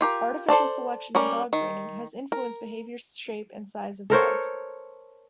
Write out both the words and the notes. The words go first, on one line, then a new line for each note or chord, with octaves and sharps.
Artificial selection in dog breeding has influenced behavior, shape, and size of dogs.
F4 G4 A#4
A4 C5 D5 A5
G3 C#4 A#4 D5
D#3
A#4
A4 A#4 C5 C#5